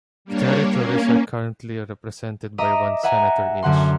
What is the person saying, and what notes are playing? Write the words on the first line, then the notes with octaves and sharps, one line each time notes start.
The territories are currently represented by one senator each.
G3 A#3 D4 C#5
A#3 C#4
D#5 E5 A#5 D6 D#6
E5 F#5 G#5 A#5
F#2 D3 F#5 C6